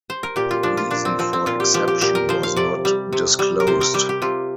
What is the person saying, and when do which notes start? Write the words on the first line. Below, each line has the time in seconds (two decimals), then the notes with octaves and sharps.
The reason for exception was not disclosed.
0.10 C5
0.23 A#4
0.36 A#2 G4
0.51 F4
0.63 F3 D4
0.77 F4
0.91 A#2 D4
1.05 C4
1.19 F3 C4
1.33 C4
1.46 A#2 F4
1.60 G4
1.74 F3 G4
1.88 G4
2.01 A#2 G4
2.15 A#4
2.29 F3 C5
2.43 F5
2.56 C3 D5
2.85 G3
3.13 C3
3.39 G3
3.60 A#4
3.67 C3 C5
3.81 A#4
3.94 G3 G4
4.09 G4
4.22 C3 F4